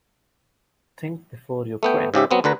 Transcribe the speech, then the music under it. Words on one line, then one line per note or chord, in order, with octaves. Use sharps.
Think before you print.
A3 B3 G5
G#2 C#3 G4 E5
F#3 B3 C4
D2 D3 B4 A#5